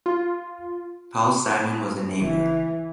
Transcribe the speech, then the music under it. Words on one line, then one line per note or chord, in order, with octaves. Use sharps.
Paul Simon was a neighbor.
F4
F#1 E3